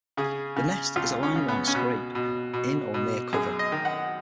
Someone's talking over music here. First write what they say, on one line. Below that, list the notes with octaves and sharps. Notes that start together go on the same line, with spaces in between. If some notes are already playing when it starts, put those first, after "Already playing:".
The nest is a linedground scrape in or near cover.
C#3 G#4
C#3
C#2 F4
C#4
C#3
B3
C#4
B2 B3
B2
B2
B2
F#2 G#4
D#5
D#3
F#5